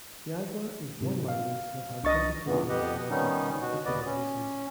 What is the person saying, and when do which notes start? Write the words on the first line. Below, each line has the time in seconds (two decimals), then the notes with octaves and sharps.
Yagua is one language that has dedicated morphology for applicative uses.
1.01 G#2 C3
1.28 F5
2.04 C2 D4 D#5 C#6 A6
2.46 E2 G2 A#2 E3 B3
2.69 F2 B3 G4 D#5 F#5
3.10 D#3 G3 B3 C#4 D#4
3.61 B2 F#4
3.86 D#2 B3 B4 D5 D#5 D6
4.06 C#4